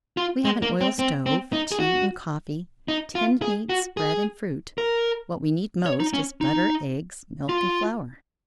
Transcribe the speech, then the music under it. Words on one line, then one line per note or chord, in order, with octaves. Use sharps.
We have an oil stove, tea and coffee, tinned meats, bread and fruit; what we need most is butter, eggs, milk, and flour.
F4
G#3
A#3
C4
C4
C4
D#4
G#4
F#4
D#4
F4
G#4
F#4
G#4
A#4
C#5
D#4
C#4
D#4
F4